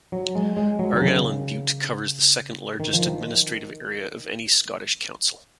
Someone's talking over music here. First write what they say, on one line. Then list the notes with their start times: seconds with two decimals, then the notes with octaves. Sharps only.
Argyll and Bute covers the second largest administrative area of any Scottish council.
0.12 F#3
0.35 G#3
0.57 G#3
0.79 F#3
0.94 D#3
1.02 C#3
2.80 D#3
2.93 F3
3.07 D#3